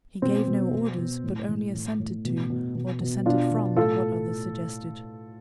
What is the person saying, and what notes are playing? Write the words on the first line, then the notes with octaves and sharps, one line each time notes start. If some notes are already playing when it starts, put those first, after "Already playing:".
He gave no orders, but only assented to or dissented from what others suggested.
B2 C4
B2
B2
B2
A2
A2
A2
A2
B2
B2
B2
B2
B2 D4 F4
B2
A2 F4 A4